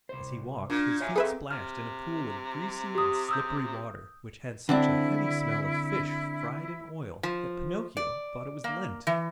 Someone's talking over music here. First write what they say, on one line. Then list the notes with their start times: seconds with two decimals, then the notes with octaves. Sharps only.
As he walked his feet splashed in a pool of greasy and slippery water, which had such a heavy smell of fish fried in oil that Pinocchio thought it was Lent.
0.09 C2 C5
0.70 A#2 D4
1.01 C#5 E5 G#5
1.16 C4 G#4 A4 B4 E5
1.51 C3 F6
2.95 G4 D#6
3.29 D#6 E6 G6
4.69 D3 C4 D4 E4
7.23 F3
7.97 D5
8.64 A#3
9.07 E3